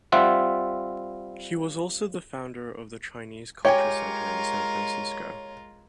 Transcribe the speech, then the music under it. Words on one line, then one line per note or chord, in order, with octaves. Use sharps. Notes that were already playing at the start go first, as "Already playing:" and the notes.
He was also the founder of the Chinese Culture Center in San Francisco.
G3 C4 F4 E5 F#5
G#3 F4 G4 A#4 C#5 G5 G#5